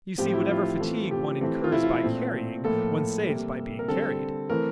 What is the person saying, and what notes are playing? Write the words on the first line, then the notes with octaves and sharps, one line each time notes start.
You see, whatever fatigue one incurs by carrying, one saves by being carried!
A2 F3 C4 G4
E4
F4
E3 A3 C4
G4
E3 A3 C4
F4
E4
F4
A#2 A3 C4
A2 F3 A#3 A4
C3 G3 A#3
A#4
D3 G3 C4 A4
E3 A3 C4 A#4